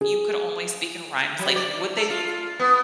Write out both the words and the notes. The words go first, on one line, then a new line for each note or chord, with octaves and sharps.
you could only speak in rhymes, like, would they f
G#4
F#3
D5
A4
F4
B3